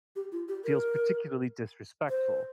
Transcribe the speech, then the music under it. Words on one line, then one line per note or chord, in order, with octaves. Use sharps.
feels particularly disrespectful.
G4
F4
G4
A#4
C5